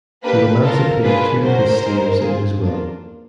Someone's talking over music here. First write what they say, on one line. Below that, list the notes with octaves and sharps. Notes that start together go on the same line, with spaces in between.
He emancipated two of his slaves in his will.
A#3 D4 G4 B4
C4 F4 A4 A#4
A#3 D4 F4 G#4 B4
A3 C#4 F#4 A#4 C5
B3 D#4 G#4
C4 F4 G#4
A#3 D4 F4